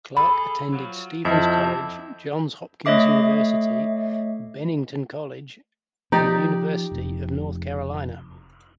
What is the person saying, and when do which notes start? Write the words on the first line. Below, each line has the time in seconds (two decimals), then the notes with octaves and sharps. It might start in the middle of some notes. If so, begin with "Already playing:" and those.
Clarke attended Stephens College, Johns Hopkins University, Bennington College, and University of North Carolina.
0.17 G#4 A4 B5
0.72 F3 F#3
1.25 F2 E4 D#5 A5 G6
2.85 A3 C#5 D#5 E5 D6 C7
6.12 F3 D#4 G4 D5
6.91 F1 F2 C3